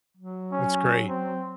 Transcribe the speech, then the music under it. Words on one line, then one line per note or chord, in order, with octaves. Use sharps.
That's great.
F#3
C#4
C4